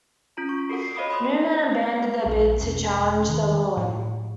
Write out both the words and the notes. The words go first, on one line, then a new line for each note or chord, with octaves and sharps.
Newman abandoned a bid to challenge the ruling.
C#4 F4 A#5
C#6
F#4 A4 A#4 F#5
C7
C5 C#5 D#5 F5 B5 D#6
B5 C6 D#6
A#1
E1
D#3
A2